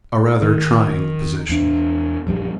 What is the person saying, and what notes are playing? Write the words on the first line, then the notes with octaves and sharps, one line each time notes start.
A rather trying position.
D#3
E2 D4
A#1 F#2 D#3 G3